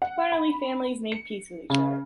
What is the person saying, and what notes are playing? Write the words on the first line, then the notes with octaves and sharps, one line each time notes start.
Finally, families made peace with each other.
F#5
B5
C#7
C#3